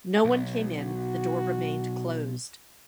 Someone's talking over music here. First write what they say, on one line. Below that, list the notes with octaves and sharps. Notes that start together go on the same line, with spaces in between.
No one came in, the door remained closed.
B1
F#4